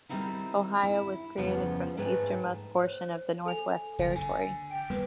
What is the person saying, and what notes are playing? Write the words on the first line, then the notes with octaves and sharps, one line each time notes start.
Ohio was created from the easternmost portion of the Northwest Territory.
D#3 G3 A3 C4 D#4 E4
E4
F2 C#3 F3 G3 B3 C#4
G#2 A3 B4 C#5 G5 G#5
C5 C#5
A4 G#5 F7
F#1
D3 G#5
G5 D7
G3 A#3 B3 B4